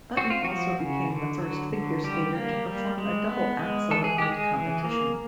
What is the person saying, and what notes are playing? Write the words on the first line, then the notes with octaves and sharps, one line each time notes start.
Button also became the first figure skater to perform a double axel in competition.
C4 F#4
F4
F3 F#4
C#3
D3
F#3
D3
G3 G4
A#3
G3
G#3
B3
G#3
E3 A4
G#4
G#3 G4
G#4
E3
A#3